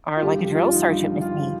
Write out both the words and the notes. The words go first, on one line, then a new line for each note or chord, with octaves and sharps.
are like a drill sergeant with me."
F4
G2 G4
D3 F3 G4
G2 F4
D3 F3 D#4
G2
D3 F3
G2 F4
D3 F3